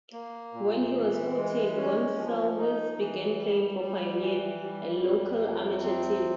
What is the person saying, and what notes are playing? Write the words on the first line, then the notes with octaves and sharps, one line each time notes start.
When he was fourteen, Gonsalves began playing for Pioneer, a local amateur team.
A#3
A#2
E3
G#3
C#4
F3
D#4
E3
G3
G3
E3
G3
F2
C3
C4